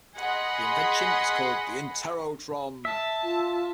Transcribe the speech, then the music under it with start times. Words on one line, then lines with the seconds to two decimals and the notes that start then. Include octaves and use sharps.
The invention is called the Interrotron.
0.18 G#4 D#5 F#5 B5 C6
2.85 E5 A5
3.23 F4